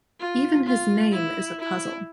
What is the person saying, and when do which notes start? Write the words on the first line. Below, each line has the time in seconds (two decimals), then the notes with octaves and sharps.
Even his name is a puzzle.
0.20 F4
0.66 F4
1.12 E4
1.59 E4